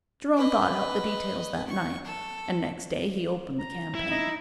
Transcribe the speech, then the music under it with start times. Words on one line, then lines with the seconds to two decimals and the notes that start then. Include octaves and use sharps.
Jerome thought out the details that night, and next day he opened the campaign.
0.36 B4 D#5
1.67 C#6
2.04 A4
3.59 A#5
3.95 E4
4.10 D#4